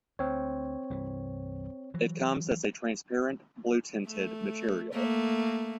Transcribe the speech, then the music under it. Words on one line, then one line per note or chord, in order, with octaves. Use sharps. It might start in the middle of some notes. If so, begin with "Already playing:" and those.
It comes as a transparent blue-tinted material.
D2 C4 C#5
C2 G2 E3
E3 F#3
A3
A3 A#3